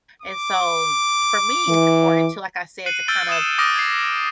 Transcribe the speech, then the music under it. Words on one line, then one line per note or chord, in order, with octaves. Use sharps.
And so for me, it's important to, like I said, to kind of
D6
E3
F#6 C7 C#7 D#7 F#7
E6 F6 G6 A6 D7 G7
D#6 E7
D6 D#6 F6 A#6 D7
G#6 C7